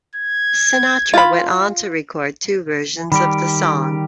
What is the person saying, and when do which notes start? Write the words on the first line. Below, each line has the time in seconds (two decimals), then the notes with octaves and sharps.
Sinatra went on to record two versions of the song.
0.16 G#6
1.14 F4 B5
3.12 D#3 G3 G4 B5